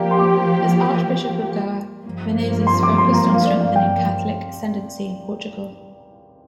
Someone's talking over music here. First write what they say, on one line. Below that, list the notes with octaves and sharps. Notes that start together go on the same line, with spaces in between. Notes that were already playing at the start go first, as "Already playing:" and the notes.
As Archbishop of Goa, Menezes focused on strengthening Catholic ascendancy in Portugal.
Already playing: F3 A#3 G4 D5 F5 A#5
C6
D6
G2 F3 A#3
C6
D6
C6
A#5
F5
D5
F5
G5